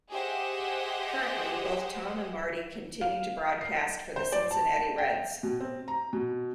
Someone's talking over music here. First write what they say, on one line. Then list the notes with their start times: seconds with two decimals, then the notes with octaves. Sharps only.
Currently, both Thom and Marty continue to broadcast for the Cincinnati Reds.
0.11 G4 G#4 C5 D#5 E5 F#5
3.01 F5
3.61 C7
4.16 C5
4.32 D5
4.51 A5
4.98 G5
5.43 B2
5.60 C4
5.88 A#5
6.13 B2